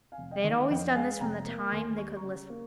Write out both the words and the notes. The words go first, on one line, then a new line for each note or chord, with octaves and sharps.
They had always done this from the time they could lisp...
F5 G#5
F1
D#5 G5
D#3
D#5
F2 D#5 G5
G#3 F5 G#5
F1 G5 A#5
A#3
D#2 G#5 C6
G3 C#6
A#5 C#6
C#3
A#3